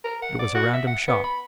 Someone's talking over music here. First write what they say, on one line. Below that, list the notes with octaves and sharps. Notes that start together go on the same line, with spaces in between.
It was a random shot.
A#4
F#5
D5
F#4
E5
F#5
B3
B5